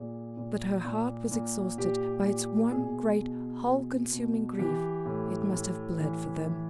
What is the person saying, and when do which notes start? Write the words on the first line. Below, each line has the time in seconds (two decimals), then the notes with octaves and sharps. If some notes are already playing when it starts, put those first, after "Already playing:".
But that her heart was exhausted by its one great, all-consuming grief, it must have bled for them!
Already playing: A#2 G#4
0.37 A#2
0.85 A#2
1.31 A#2
1.78 A#2 G4
2.25 A#2 G4
2.71 B2 G#4
3.18 B2
3.65 B2
4.12 B2
4.59 E3 G4
5.06 A2
5.53 A2
5.99 E3
6.46 E3